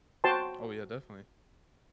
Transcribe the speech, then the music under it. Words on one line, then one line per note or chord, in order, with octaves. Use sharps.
Oh yeah, definitely.
F#4 C5 G5 A5 C6